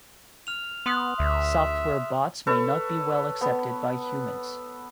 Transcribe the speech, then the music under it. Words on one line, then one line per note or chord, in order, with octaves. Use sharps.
Software bots may not be well accepted by humans.
F6 F7
B3 C6 D#6 F#6
D2 E5
A4 B4 C#5
B3